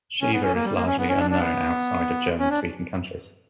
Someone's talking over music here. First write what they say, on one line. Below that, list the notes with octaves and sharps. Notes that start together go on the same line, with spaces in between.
Shiva is largely unknown outside of German-speaking countries.
C#4
B3
C#4
A#3
G3
A#3
C#4
B3
C#4
D4
D4
B3
C#4
D4